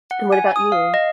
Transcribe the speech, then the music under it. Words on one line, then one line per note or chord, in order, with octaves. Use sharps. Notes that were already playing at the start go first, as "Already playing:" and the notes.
And what about you?
F#5
G#5
D#6
F5
D#5